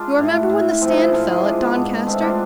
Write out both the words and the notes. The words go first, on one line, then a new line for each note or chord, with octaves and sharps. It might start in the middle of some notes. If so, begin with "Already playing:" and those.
You remember when the stand fell at Doncaster?
Already playing: G#3 D4 F4
A2
A2
F3 C4 E4
E4 G#4
G#2 F4 A4
E4 G#4
G#3 D4 F4
B3 D4
G#2
G#3 A3 C4
D4 F4